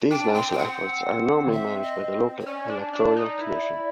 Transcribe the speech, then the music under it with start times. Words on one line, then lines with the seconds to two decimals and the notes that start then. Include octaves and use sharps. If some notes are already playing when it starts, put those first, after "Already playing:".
These national efforts are normally managed by the local electoral commission.
0.10 D4 G5
0.34 C4 G5
0.53 G5
0.58 C4 F#5
1.52 E5
1.83 D#5
2.41 C#5
2.46 C#4 D5
2.70 D4
2.93 D4
3.16 D#4
3.40 E4